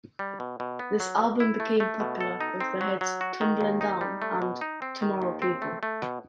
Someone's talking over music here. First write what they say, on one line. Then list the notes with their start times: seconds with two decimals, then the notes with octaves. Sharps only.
This album became popular with the hits "Tumblin' Down" and "Tomorrow People".
0.19 G3
0.40 B2
0.60 B2
0.79 B3
1.00 F#3
1.20 B2
1.40 E4
1.60 A3
1.80 A3
2.00 B2
2.21 A4
2.41 D#4
2.60 C4
2.81 F#3
3.01 F#3
3.21 F#4
3.41 D#3
3.61 D#2
3.81 D#4
4.01 G3
4.22 A3
4.42 B2
4.61 D#4
4.82 C4
5.02 D#3
5.22 D#2
5.42 C4
5.62 A3
5.83 A3
6.02 B2